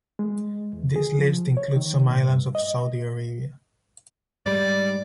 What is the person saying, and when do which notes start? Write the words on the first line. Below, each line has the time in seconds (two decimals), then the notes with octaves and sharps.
This list includes some islands of Saudi Arabia.
0.19 G#3
0.73 E2
0.96 G#4
1.19 F3
1.57 C#5
1.76 D#3
2.07 A#2
2.28 G2
2.55 D#5
4.46 G#2 G3 D5